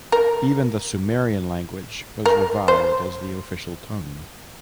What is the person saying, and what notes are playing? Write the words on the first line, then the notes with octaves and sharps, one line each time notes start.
Even the Sumerian language was revived as the official tongue.
A#4
A#4
C5